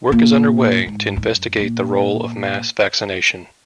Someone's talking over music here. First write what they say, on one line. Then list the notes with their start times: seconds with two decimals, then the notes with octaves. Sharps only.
Work is under way to investigate the role of mass vaccination.
0.12 A#2
0.86 G#2
1.16 F2
1.23 F#2
1.60 A#2